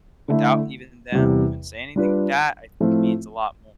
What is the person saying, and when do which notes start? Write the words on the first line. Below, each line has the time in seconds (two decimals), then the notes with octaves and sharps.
without even them even saying anything, that I think means a lot more.
0.28 D3 A3 E4
1.12 E2 C3 G3
1.96 G3 D4 F4 B4
2.80 A2 F3 A3 C4 F4